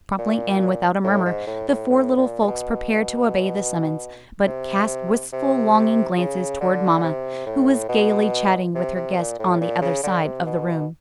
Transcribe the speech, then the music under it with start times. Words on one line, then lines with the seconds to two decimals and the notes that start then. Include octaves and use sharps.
Promptly and without a murmur the four little folks prepared to obey the summons, but cast wistful longing glances toward mamma, who was gayly chatting with her guests on the other side of the room.
0.18 A#2
1.04 A2
1.25 G#2
1.47 A2
1.68 A2
1.89 A2
2.17 A#2
2.41 A#2
2.47 B2
4.47 C3
5.33 C3
6.17 C#3
6.60 D3
7.04 C3
7.46 A2
7.89 B2
8.75 C3
8.96 C3
9.18 A#2
9.39 A2
9.61 A#2
9.82 C#3
10.03 D3
10.24 C3
10.46 B2